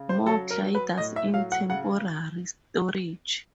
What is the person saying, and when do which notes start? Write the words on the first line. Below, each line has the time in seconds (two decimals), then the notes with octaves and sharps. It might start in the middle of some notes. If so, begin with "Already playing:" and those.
More gliders in temporary storage.
Already playing: C#3
0.09 C5
0.26 F#3 A4
0.51 A#4
0.62 F#3
0.75 B4
0.98 A2 D#5
1.16 E5
1.34 F#3 F5
1.52 F#5
1.69 C#3 F#5